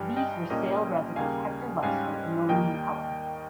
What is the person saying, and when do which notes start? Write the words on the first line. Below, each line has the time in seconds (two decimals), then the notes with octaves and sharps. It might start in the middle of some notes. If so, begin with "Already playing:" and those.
These were Sale residents Hector Luxford and Noreen Cullen.
Already playing: G1 G2 G3 G#5
0.17 D#5 G5
0.50 C2 A#2 G3 A#3 C#4 D#5 G5
1.16 D#2 C#3 G3 A#3 F5 G#5
1.83 G#2 G3 C#4 F5 G#5
2.49 D#2 D#3 G3 A#3 D#5 G5